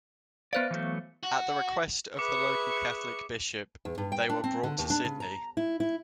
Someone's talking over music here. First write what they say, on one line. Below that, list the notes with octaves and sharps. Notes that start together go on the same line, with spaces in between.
At the request of the local Catholic bishop, they were brought to Sydney.
B3 B4 C5 D5 F5
E3 F#3 A3
F#4
G#4 B4 E5 C#6 D6 C#7
E2
G2
G5
D4
C4
D3
D#2
D4
C#3
A#5
E4
E4